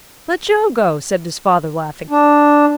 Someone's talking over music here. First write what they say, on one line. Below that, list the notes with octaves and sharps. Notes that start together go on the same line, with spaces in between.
"Let Joe go," said-his father, laughing.
D4